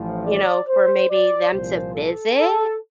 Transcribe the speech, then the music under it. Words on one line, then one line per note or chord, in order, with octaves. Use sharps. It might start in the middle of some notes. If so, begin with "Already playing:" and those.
you know, for maybe them to visit.
Already playing: A1 A2 F3
D5
C5
D5
C2 A#2 F3 C5
A4
A4